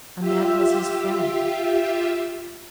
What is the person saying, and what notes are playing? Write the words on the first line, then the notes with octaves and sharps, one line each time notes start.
Ahmed was his friend.
F4 G4 E5